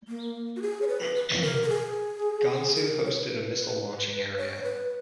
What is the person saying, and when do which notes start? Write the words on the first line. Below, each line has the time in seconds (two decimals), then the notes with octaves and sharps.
Gansu hosted a missile launching area.
0.08 A#3
0.56 F#4
0.62 G#4
0.82 C#5
0.87 B4
1.15 B4
1.42 A#4
1.63 A#4
1.69 G#4
2.75 A#4
3.05 C#5
3.15 B4
3.56 B4
4.37 C#5
4.64 B4